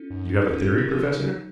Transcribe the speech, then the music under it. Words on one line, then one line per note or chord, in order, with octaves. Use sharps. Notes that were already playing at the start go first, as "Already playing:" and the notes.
"You have a theory, professor?"
Already playing: C#4 D#4 F4 A4
F#2
D#4
D#4
C#4 F4
A2 F4 A4
D#3 F#4 A#4
F3 F4 A4
C#3 D#4 F#4